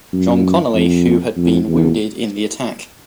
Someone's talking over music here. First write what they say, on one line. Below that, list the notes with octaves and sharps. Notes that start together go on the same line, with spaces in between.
John Connally, who had been wounded in the attack.
F#2
F2
F2
E2